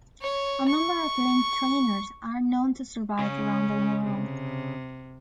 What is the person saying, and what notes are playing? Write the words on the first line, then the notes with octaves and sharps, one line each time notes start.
A number of Link Trainers are known to survive around the world.
C#5
C#6
C#3 C#4
C3